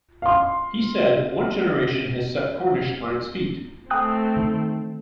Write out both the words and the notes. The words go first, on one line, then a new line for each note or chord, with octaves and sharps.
He said, One generation has set Cornish on its feet.
F5 C6
A3 C4 G5 D#6 F#6
D#3